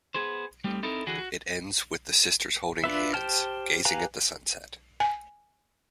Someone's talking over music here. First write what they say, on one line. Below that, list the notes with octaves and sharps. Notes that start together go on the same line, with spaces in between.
It ends with the sisters holding hands, gazing at the sunset.
B3 G#4 C5
G3 A3 C4 D#4 G4
C4 D#4 E4 A4 A#4
D3 E3 F#4 G#4
F#4
D4 F4 B4 E5
G4 C5 G5 A5 F6
G4 B4 F5 G#5 A#5
G#5